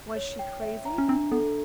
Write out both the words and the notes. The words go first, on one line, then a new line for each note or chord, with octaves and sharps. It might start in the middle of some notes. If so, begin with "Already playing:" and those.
Was she crazy?
C#5
G5
E5
A#5
C#4
C4 D4
B3 A4